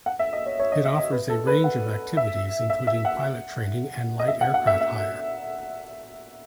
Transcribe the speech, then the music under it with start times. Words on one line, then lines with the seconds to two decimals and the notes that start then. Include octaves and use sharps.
It offers a range of activities including pilot training and light aircraft hire.
0.06 F#5
0.19 E5
0.33 D#5
0.46 C#5
0.59 C#5
0.72 D#5
0.85 E5
0.99 D#5
1.12 B4
1.29 A4
1.47 B4
1.64 F#5
2.17 E5
2.70 E5
2.87 E5
3.05 F#5
4.20 D#5
4.28 E5
4.41 F#5
4.54 F#5
4.67 E5
4.81 E5